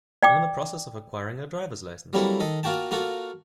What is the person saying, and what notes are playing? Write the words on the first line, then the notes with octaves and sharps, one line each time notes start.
I'm in the process of acquiring a drivers license.
D5 G5 D6
F#3 G3 A#3 C4 E4 A4
D#3 A4 D#5
A#3 F4 F#4 G5 A5
A#3 F4 F#4 A4